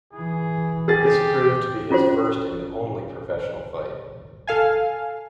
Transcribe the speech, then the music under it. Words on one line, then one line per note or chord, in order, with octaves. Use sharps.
This proved to be his first and only professional fight.
E3 G#4
G4 G#4 A6
C#4 F4 F#4 C5
A4 F5 G#5